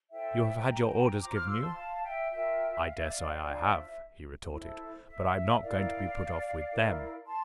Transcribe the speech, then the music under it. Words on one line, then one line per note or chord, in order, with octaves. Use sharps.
You have had your orders given you.' 'I daresay I have,' he retorted, 'but I am not going to be put off with THEM.
E4 A4 C5 E5 G5
G5 A#5
F4 C5 A#5 D6
D6 F6
C6 E6
A5 C6
F5 A5
E5 G5
F4 A#4 E5 G5
F5
E5
D5 F5
D4 F4 C5 D5 F5
E5
E4 A4 C5
E5
E4 A#4 D5 F5
E4 A#4
A5 C6